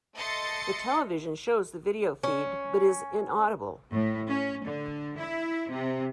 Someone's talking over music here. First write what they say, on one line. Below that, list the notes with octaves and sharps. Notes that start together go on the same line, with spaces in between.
The television shows the video feed but is inaudible.
A3 A4 D#5 C6 A6 C#7
C#4
A2
C#4
D3
E4
C3